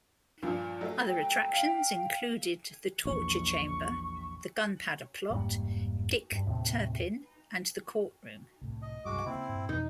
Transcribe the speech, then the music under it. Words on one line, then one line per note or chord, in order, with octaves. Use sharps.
Other attractions included the Torture Chamber, The Gunpowder Plot, Dick Turpin, and the Courtroom.
G2 A#2 F3
F#3 A3
G5
F5 B6 D7
A#1 E2 C#6
F1 G#2 G3 A#3
G2
D#2 A2 C3
C2 A2
D#5
C2 G2 G#3 F#4 D6
C#3 A#3 C4 E4
G2 A#2
F2 B2 E3 D#4